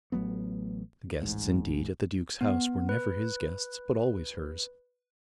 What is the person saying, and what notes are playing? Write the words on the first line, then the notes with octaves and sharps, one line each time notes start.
The guests, indeed, at the Duke's house were never his guests, but always hers.
A1 F#3 A3 B3
D1 A1 G#2
B3
B4